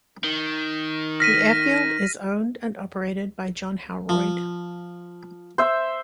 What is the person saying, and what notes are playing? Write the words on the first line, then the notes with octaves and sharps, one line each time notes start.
The airfield is owned and operated by John Howroyd.
D#3
F6 A#6 B6 D#7
F3
C5 E5